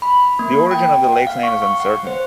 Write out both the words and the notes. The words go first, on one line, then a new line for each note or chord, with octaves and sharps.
The origin of the lake's name is uncertain.
B5
A#3
G5
F#5
F5
C#6
C#6
F#5
C5